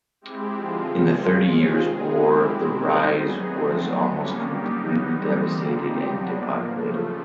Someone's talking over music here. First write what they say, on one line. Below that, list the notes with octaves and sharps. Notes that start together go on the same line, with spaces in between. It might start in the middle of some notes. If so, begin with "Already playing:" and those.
In the Thirty Years' War the Ries was almost completely devastated and depopulated.
G#3 C4 E4 G4
D3 F3 G#3 C4 F4
C3 F3 G#3 C4
G#3 C#4 F4
D#3 G#3 C4 F4 G#4
G#3 B3 D#4 G#4
G#3 C4 E4 G4
B2 G#3 C4 E4
D#3 G3 C4 D#4
F#3 B3 D#4 G#4
F3 A3 C4
D3 F#3 B3
D3 G3 A#3 C#4
G3 A#3 D#4 G4
F#3 B3 D#4
E3 G3 C4 D#4
D3 G3 A#3
G3 C4 D#4 G4
F#3 B3 D4
A2 F3 A#3
C#3 F3 A3